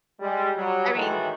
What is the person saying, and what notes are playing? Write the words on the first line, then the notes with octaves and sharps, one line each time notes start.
I mean
G3 G#3
F#3 G3
A2 D#3 E3 G#3 A3 F#4